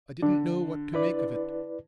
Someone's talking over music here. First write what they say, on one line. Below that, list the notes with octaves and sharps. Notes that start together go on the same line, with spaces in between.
I didn't know what to make of it.
D3 D4
E4 B4 D5